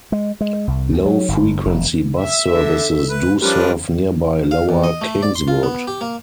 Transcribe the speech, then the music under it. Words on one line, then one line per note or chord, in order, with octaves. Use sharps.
Low-frequency bus services do serve nearby Lower Kingswood.
G#3
G#3
C2
D2
F#3
G1
F1
E5
D3 A4
B4
F3 G3 C#4 D4 G4 A#4 B4
F5
E2
D#5
A3
D5
C6
F4
B3
G4
A#3